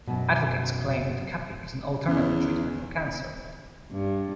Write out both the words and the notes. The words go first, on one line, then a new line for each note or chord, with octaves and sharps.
Advocates claim that cupping is an alternative treatment for cancer.
F#2 B2
E2 C#4
G2